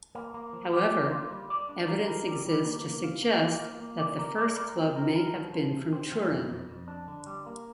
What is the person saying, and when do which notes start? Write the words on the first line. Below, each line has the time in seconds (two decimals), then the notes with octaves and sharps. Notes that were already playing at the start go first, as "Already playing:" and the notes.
However, evidence exists to suggest that the first club may have been from Turin.
0.15 A#3
0.34 A#3
0.53 F3
0.73 G4
0.92 A#3
1.12 F4
1.31 G3
1.50 D5
1.69 D4
1.88 A#4
2.08 A#4
2.27 G3
2.46 G3
2.65 A#3
2.84 A#3
3.04 F4
3.23 A#3
3.42 A#3
3.62 F4
3.80 A#3
3.99 D5
4.19 A#4
4.38 D5
4.57 A#4
4.76 C4
4.96 A#4
5.16 A#4
5.34 F3
5.53 F3
5.72 C3
5.93 C4
6.12 F3
6.30 F2
6.50 F2
6.69 F2
6.88 D4
7.08 D3
7.27 G3
7.46 A#3